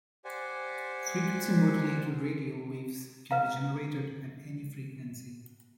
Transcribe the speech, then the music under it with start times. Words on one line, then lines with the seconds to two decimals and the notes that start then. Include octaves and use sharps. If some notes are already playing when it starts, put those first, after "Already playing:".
Frequency-modulated radio waves can be generated at any frequency.
0.25 G4 C5 D5 F#5 G#5
3.31 B4 F5 A#5